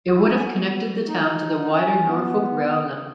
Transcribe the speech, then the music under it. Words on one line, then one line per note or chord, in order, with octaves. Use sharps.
It would have connected the town to the wider Norfolk rail network.
F#4
E4
D#4
C#4
B3
D#4
C#4
B3